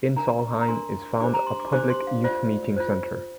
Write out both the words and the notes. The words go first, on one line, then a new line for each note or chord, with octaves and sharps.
In Saulheim is found a public youth meeting centre.
D4 A#4 A#5
A#5
D4 A#4 C6
D4 G4 C5 D6
A#5
C6
D6
D4 G4 C5 D6
C6
F5
F4 C5 D5
F4 C5